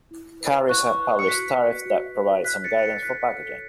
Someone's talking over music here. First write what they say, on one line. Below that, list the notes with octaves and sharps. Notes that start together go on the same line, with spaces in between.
Carriers have published tariffs that provide some guidance for packaging.
E4
B4
E4 C#6 F#6
B4
C#7
F#4 F#6 B6
B4
F#4
B4
E4 F#6 B6
A6 C#7
A4 C#5
A6 C#7
E4 F#6 B6
A4 C#5